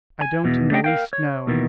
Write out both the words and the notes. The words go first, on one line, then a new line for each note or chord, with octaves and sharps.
"I don't in the least know."
G#5
E2 B2 E3
A3 D4 G4 D#5 F#5 G5
A#4 F5 G5
C#5
D#2 B2 D#3 E3